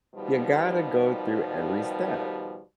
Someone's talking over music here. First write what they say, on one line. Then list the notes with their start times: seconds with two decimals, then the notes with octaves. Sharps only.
you gotta go through every step,
0.15 B2 D#3 F3 G3